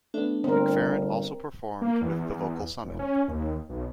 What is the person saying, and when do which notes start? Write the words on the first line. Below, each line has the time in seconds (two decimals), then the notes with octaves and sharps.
McFerrin also performed with the Vocal Summit.
0.14 A3 B3 D4
0.44 G1 C4 A#4
1.81 A#3
2.02 E2
2.18 E2
2.84 F1
2.99 C#4
3.28 D#2
3.69 B1